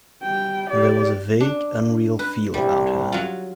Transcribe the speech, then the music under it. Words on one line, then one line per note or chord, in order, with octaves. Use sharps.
There was a vague, unreal feel about her.
G3 G5
G4 D5
D4
B4
C2 G3
F#3 F4